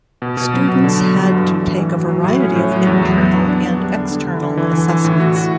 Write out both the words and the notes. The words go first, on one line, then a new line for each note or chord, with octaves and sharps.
Students had to take a variety of internal and external assessments.
B2
B2
F#3
B2
D3
F#3
D3
G2
E3
A2
E3
F#4
F#3
A2
C#4
A2
F#3
E2
F#3
B3
D4
D4
B3
G3
D3
D3
D3
D3
E3
E3
E3
A2
F#4
F#4